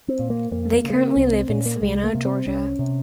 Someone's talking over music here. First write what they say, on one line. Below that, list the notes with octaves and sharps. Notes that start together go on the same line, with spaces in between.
They currently live in Savannah, Georgia.
C4
A#2
A#3
F2 A#3
A#3
C#3
G#3
A#3
C2 C4
C4
A#2 C#4
A#3
C2 G#3
A#3
C3
C4
C2 C#4
C3